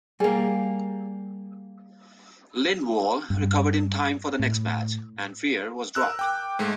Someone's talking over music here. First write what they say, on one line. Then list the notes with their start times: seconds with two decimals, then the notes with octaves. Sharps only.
Lindwall recovered in time for the next match, and Freer was dropped.
0.20 G3 A#3 G#4
3.30 G2
4.39 A2
5.95 A#4 E6 F#6
6.19 G5 D6
6.59 G#2 G#3 A3